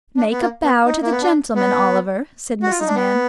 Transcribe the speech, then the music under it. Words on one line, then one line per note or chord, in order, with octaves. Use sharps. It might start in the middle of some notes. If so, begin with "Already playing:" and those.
'Make a bow to the gentleman, Oliver,' said Mrs. Mann.
D4
B3
A#3
B3
D#4
A#3
B3
D4
B3
F#4
F4
D#4
D4
B3